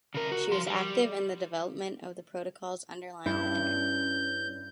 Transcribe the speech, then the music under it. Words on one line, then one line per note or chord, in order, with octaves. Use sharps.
She was active in the development of the protocols underlying the Internet.
C#3 A#4
F#4
F3 C6
G3
G2 C#4 E4 G6